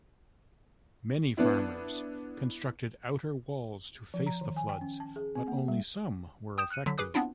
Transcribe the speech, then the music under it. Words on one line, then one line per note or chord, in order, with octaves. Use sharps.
Many farmers constructed outer walls to face the floods, but only some were effective.
B3 D4 E4
F3
A#5
D#3
G#5
G5
C#4
A5
G#4
C4
A#3
G3
G5 D#6 G6 E7
F6 F#6 C#7 D#7
D3 F#3 B6
G#4 B4 D6 D#6 F#6
B3 C4 D4 E4 F4